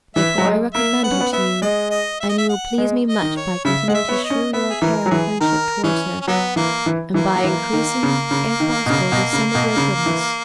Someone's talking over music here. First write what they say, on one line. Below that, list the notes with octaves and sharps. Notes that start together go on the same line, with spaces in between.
Therefore I recommend her to you, and you will please me much by continuing to shew your care and friendship towards her, and by increasing, if possible, the sum of your goodness.
E3 E5
F#3
G#3
A#3 E5
B3 F#5
C#4
B3
B3 E5
G#3 D#5
D#5
E5
D#5
E5
F#5
G#3
D#5
D#3
C#5
C#3 E5
G#3 F#5
E5
B3
C#5
D#5
C#4
B3 E5
G#4
E3 A#4
F#3
E3 G#4
D#3 A#4
E3 C#4
C#4
F#3 B3
E3 A#3
E3
E3 A#3
F#3
E3
D#3
C#3
C#3
D#3
B2
C#3
B2
C#3
B2
C#3
E3